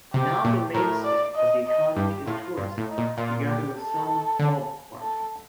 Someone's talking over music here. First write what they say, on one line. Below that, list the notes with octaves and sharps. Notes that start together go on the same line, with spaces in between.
Now the mainstay of the economy is tourism, together with some bulb farming.
C3 G4
A#2
A2 A#4
D5
D#5
D#5
G2 G4
A2 F4
G2 F4
A2
D#4
A#2
A#2 F4
G4
A4
D3
A4